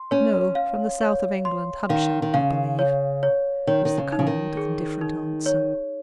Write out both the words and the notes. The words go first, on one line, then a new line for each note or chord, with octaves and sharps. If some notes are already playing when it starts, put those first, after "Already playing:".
'No! from the south of England--Hampshire, I believe,' was the cold, indifferent answer.
Already playing: C6
C#4 C#5
F5
C#5
C6
D#3 F5
D#3
C#3 F5
C#5
C#5
D#3 C#5
D#3
C#3
D#4
C#3
D#3
G#4
D#4
C#5